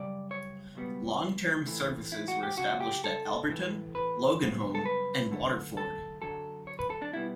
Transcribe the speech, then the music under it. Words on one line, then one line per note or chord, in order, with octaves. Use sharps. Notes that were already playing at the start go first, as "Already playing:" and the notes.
Long-term services were established at Alberton, Loganholme and Waterford.
Already playing: F#2 C#3 G3 D5
C#5
C#2 B2 G3 B3
A2 E3 A3
E4
F#4
G4
F#2 C#3 F#3 F#4
G4
A4
A2 E3 A3
B4
F#2 C#3 G3 B3
A4
B4
F#2 D3 A3
A4
F#2 D3 F#3 A4
C#5
B4
A4
D4
B2 G3 B3 E4